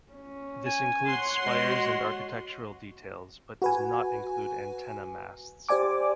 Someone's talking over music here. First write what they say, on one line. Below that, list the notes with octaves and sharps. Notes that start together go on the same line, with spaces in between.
This includes spires and architectural details but does not include antenna masts.
C#4
G#5
C#5 F#5 C6
G#3 F#4
F#4 B4 G#5
G4 C5 D5 G#5 D6